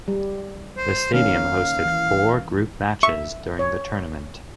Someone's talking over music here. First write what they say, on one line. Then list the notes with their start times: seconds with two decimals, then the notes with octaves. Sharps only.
The stadium hosted four Group matches during the tournament.
0.08 G3
0.77 C5
1.13 D#3 A#3 C#4 F5
1.85 E3
3.03 E5 C#6
3.59 C#5